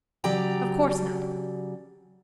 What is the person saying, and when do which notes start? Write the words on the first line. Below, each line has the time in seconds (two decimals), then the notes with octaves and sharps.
Of course not!
0.24 C#3 F#3 G4 D5 G5 A#5